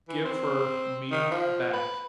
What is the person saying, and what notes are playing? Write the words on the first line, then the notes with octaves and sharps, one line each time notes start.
"Give her me back."
E3
C4
D#3
F3
B4